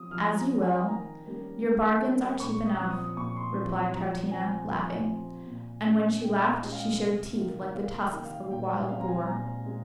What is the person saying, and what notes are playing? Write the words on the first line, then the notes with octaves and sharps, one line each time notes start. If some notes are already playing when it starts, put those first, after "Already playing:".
"As you will; your bargains are cheap enough," replied Troutina, laughing: and when she laughed she showed teeth like the tusks of a wild boar.
Already playing: F3 C4 D#6
F3 F6
A#5
C4
G#5
D#3 A#5
G3 A#3 C#4
D#3
G3 A#3 C#4
A#2 C#6
D#6
F3 C4
D#6
A#2 C#6
C6
F3 C4
A#5
F3 A#5
C4 G#5
F3 G#5
C4
A#2
G#3 C#4
A#2 G5
D#5
G#3 C#4
F5
C3
D#3 A#3
C3 F5
G5
D#3 A#3
F5
F5
A#2 G5
G5
G#3 C4 F5
A#5
G#5
A#2 A#5
G#3 C4